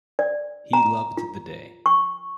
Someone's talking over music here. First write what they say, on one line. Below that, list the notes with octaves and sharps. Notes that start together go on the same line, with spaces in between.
He loved the day.
D5
A#5
F4
C#6